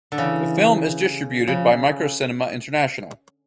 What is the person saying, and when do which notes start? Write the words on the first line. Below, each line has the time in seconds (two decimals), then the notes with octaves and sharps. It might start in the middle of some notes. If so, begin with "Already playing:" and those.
The film is distributed by Microcinema International.
0.12 D3
0.18 C#3 E3
1.47 C#3 F3